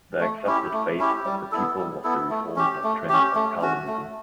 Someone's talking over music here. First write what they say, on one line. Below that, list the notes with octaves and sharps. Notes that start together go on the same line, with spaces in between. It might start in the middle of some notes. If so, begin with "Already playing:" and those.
The accepted faith of the people was the Reformed doctrine of Calvinism.
A3
C#4 E4 G4
A3
C#4 E4 G4
G3
B3 E4 A4
G3
B3 E4 A4
A3
C#4 G4
A3
C#4 G4
A3
C#4 F#4
A3